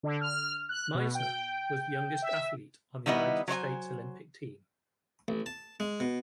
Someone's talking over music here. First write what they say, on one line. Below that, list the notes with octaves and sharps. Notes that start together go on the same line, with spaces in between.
Meissner was the youngest athlete on the United States Olympic team.
D3
F6
F#6
B2
G5
E5
D#3 G3 B3 E4 C5 D#5
F#3 C5 D5 G#5
A1
A5
G#3
B2